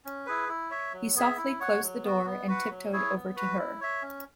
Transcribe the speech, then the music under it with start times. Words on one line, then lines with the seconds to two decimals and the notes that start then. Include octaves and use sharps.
He softly closed the door and tiptoed over to her.
0.05 C#4
0.26 E4 G#4 B4
0.49 E4
0.71 C#5 E5
0.93 F#3
1.15 B3 G#4 E5
1.38 E4
1.60 C#5 F#5
1.81 F#3
2.04 B3 F#4
2.26 B3
2.48 F#4 B4 F#5
2.70 F#3
2.93 E4 G#4 C#5
3.14 B3
3.36 F#4 B4
3.58 E4
3.81 C#5 E5
4.02 C#4